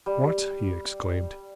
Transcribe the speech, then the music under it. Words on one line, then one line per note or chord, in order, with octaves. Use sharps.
"What!" he exclaimed.
G3